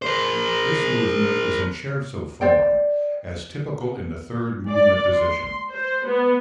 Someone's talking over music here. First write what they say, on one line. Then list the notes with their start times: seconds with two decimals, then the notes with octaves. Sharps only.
This movement is in scherzo form, as typical in the third movement position.
0.02 A#4 C5
2.41 C5 D5 G5
4.69 D5
5.15 C6
5.71 C5
6.07 B3